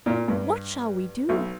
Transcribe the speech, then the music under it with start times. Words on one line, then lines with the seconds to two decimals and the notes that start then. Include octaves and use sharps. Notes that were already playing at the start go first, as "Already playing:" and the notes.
What shall we do?
0.06 A#2
0.28 G2
1.29 B1